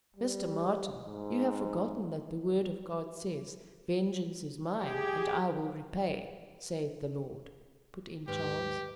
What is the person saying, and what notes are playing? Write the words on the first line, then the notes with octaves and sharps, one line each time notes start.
"Mr. Martin, you have forgotten that the word of God says, 'Vengeance is mine and I will repay, saith the Lord,'" put in Charles.
G3
G#2
G4 G#4
D#2 G#2 G4 B4